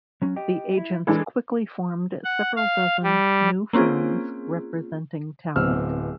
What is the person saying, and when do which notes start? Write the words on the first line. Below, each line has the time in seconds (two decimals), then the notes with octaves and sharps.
The agents quickly formed several dozen new firms, representing talent.
0.22 F#3 C#4 F#4
0.36 G4 D#5 G5
0.77 E4
1.07 E3 G#3 D4 A4
2.25 F#5
2.56 F5
3.04 G3
3.73 A#3 C4 C#4 F4 G#4
5.56 D1 B3 C4 E6 F6